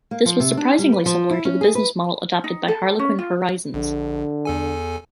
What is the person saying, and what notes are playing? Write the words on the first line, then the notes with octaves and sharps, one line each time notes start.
This was surprisingly similar to the business model adopted by Harlequin Horizons.
A#3
F3
C3
D4
G3
B4
F3
E4
C#4
G#4
B4
D#4
A4
C#4
F4
A#1 D3
E2 A4 G#5